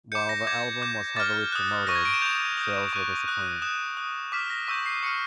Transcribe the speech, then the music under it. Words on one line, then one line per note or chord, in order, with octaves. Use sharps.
While the album was heavily promoted, sales were disappointing.
D6 G6 C#7
A#6
D6 G6 G#6
D6 G6
D6 F6 A6
D#6 F#6
C#6 F6 A#6
G#6
D7
E7
D#6 G6 F7
D#6 G6
C#6 F#6
D#6 F#6
D#6 F#6 E7
D#6 F#6
D6 F6 B6
A#6
C#6 E6 G6 B6
C7
C#6 F6 C#7